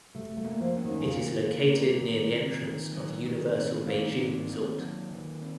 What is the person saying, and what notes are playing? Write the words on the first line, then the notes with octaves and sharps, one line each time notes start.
It is located near the entrance of Universal Beijing Resort.
C3 A3
A3
A#3
F3
C#4
D#3
C3
A#2 D#3
C3
A#3
D#3
C4
D#3
F#3
D#3
C4
A#2 D#3
C4
D#3
F#3
D#3
C4